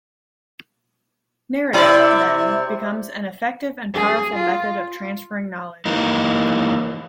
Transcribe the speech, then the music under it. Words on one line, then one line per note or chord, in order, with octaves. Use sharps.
Narrative, then, becomes an effective and powerful method of transferring knowledge.
C3 E4 D5
G#4
F4
E3 A#3 D#4